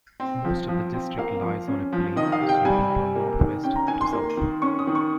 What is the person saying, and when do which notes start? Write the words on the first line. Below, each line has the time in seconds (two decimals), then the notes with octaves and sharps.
Most of the district lies on a plain sloping from north west to south.
0.20 C4
0.44 F3
0.69 F3
0.94 C4
1.18 A#3 F5
1.42 F3
1.68 C#4
1.93 F3
2.16 D#3 D#5
2.32 F5
2.41 C3
2.49 G5
2.65 G3 G#5
2.90 C3
3.15 A#3
3.39 D#3
3.64 C#4 G5
3.76 A#5
3.88 D#3 G#5
4.01 C6
4.13 A#3
4.37 D#3
4.62 C#4 C#6
4.79 D#6
4.87 D#3
4.95 C#6